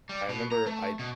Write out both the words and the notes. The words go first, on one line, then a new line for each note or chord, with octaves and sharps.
I remember I
G3
B2
A#5
A3
B2